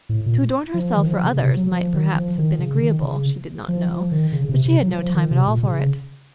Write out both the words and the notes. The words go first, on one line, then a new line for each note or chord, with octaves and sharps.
To adorn herself for others might perhaps have been agreeable--she did not know--but she had no time at all for it.
A2
A#2
F3
D#3
F3
C#3
C3
F#3
F3
D#3
F3
D#3
C#3
D#3
C#3
F3
F3
D#3
C#3
C#3
C3
C3
F#3
F3
D#3
C3
A#2
C#3